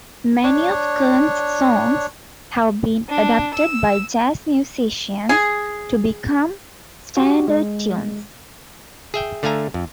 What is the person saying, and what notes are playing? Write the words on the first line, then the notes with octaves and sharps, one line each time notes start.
Many of Kern's songs have been adapted by jazz musicians to become standard tunes.
D4 C#5
D4
E6
G#4
F#4 G4
G#3
G#4 E5 G5
D3 A3 F5 G#5 A#5
F2